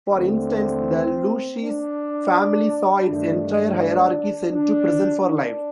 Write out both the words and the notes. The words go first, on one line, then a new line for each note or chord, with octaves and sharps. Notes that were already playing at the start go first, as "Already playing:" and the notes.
For instance, the Lucchese family saw its entire hierarchy sent to prison for life.
D#2 D3 A3 C4
D4
G2 D#3 A3 D4
D4
D4